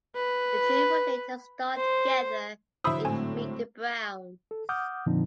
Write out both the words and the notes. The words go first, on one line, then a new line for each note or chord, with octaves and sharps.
The two would later star together in "Meet the Browns".
B4
C5
D3 F#3 E4 C5 E5 B5 D#6 E6
G#1 A2 C4 G#5
A4
F#5 D6 D#6 F6 G6
F2 A#2 D3 F3 C4 D#4